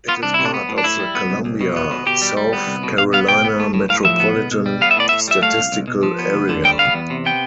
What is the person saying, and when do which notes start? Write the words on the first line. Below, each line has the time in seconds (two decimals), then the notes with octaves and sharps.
It is part of the Columbia, South Carolina Metropolitan Statistical Area.
0.08 B3 F4
0.23 C2 D4
0.34 C3 E4
0.45 D4
0.54 B3
0.69 A2
0.78 D4
0.84 A2 E4
1.00 G3
1.15 B3
1.30 C2
1.45 C2
1.61 B2
1.76 B3
1.91 B2
2.06 B2 G4
2.22 G3
2.37 G3
2.53 B3
2.67 C2
2.83 B2
2.98 B2 F5
3.13 B3 F5
3.28 B2 G5
3.44 B3
3.60 A3
3.74 A2
3.89 A2 F5
4.04 F3 E5
4.20 B3
4.36 B2
4.51 B2
4.66 G3
4.81 B3 F5
4.91 E5
4.96 A2 D5
5.09 A2 E5
5.28 G3 E5
5.42 A3 F5
5.58 C2
5.72 C2
5.87 B2
6.03 F3
6.19 B3
6.33 D2
6.49 D3
6.64 G3 G5
6.79 B3 F5
6.94 E2
7.10 C3
7.26 B3 G5